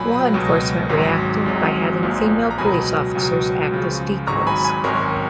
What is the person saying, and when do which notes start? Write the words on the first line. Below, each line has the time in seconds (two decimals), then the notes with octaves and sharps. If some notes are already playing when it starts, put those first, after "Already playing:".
Law enforcement reacted by having female police officers act as decoys.
Already playing: B1 A#2 F#3 G#5 B5
0.33 C#2 B2 F#3
0.89 G#1 G#2 F#3
1.46 G#1 G#2 F#3
2.03 A#1 A#2 F3
2.51 A#5
2.58 C#2 B2 F#3 G#5 B5
3.15 C#2 B2 F#3
3.71 C#2 C#3 F3
4.27 G#1 G#2 F#3 A#5 C#6
4.47 G#5 B5
4.64 G#5 B5
4.84 G#1 F#2 D#3 F#3 A#4 C#5